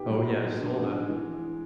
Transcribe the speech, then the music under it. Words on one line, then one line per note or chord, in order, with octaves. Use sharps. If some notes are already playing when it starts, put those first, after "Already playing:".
Oh, yeah, I saw that.
Already playing: A#2 B3 D#4 G4
F#3
B3
G#3
D4
B2
G#3
E3